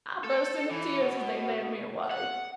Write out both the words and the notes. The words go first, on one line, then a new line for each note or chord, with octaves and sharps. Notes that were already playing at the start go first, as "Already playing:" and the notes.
I burst into tears as they led me away.
A4
E3
B2
F#5